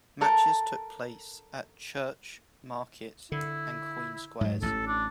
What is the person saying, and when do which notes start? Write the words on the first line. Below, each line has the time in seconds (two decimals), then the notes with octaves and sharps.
Matches took place at Church-, Market and Queen Squares.
0.21 A4 A#4 A5
3.32 D3 E4
4.41 G#2 F#3
4.62 A1 A4
4.87 D4